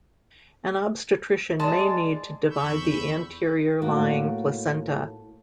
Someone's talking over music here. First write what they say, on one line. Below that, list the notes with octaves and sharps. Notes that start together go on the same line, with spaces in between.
An obstetrician may need to divide the anterior lying placenta.
G#3 G#4 D5 A5
E2 B5 C#6 E6 G6
A2 A#3 F#4